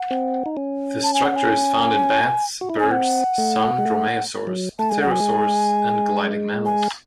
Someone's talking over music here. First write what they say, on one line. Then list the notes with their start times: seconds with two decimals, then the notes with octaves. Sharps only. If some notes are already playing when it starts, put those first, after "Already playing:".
The structure is found in bats, birds, some dromaeosaurs, pterosaurs, and gliding mammals.
Already playing: F#5
0.11 C4
0.46 D#4
0.57 C#4
1.03 A5
1.14 G#5
1.25 F#5
1.36 G#5
2.61 F#4
2.70 E4
2.77 D#4
2.79 C#4 G#5
2.91 C4 F#5
3.38 A3
3.78 G#3
3.85 A3
4.47 F#3
4.79 A3 A5
4.89 G#3 G#5
5.01 F#5
5.06 F#3 G#5
5.20 G#3
6.66 G#5